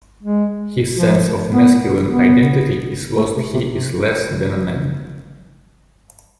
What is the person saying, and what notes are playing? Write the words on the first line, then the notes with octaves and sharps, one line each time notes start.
His sense of masculine identity is lost-he is less than a man.
G#3
F3
B3
B3
A3
C3
C3
C3